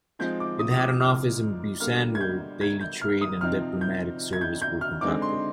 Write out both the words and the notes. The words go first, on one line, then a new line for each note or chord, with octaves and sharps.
It had an office in Busan where daily trade and diplomatic service were conducted.
F3 G#3 C4 D#4 G6
D6
D#6
D#6
D6
F6
D3 G3 A#3 F6
G#6
G6
G#6
G6
F6
D#6
C3 F3 C4 D#4 F6
G6
G#6
G6
G6
F6
D3 G#3 C4 D#4 D6
C6